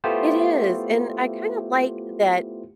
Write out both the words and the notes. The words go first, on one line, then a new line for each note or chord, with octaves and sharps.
It is. And, I kind of like that,
A3 B3 E4 F4 G4 C5